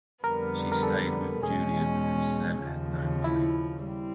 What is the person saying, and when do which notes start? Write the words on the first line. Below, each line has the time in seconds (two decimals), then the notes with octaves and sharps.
She stayed with Julian because Sam had no money.
0.23 F2 D3 G3 B3 A#4
0.72 A#4
0.83 A4
1.43 E2 B2 G#3 C#4 G#4
2.63 D#2 C#3 F3
3.24 E4
3.83 G3 C4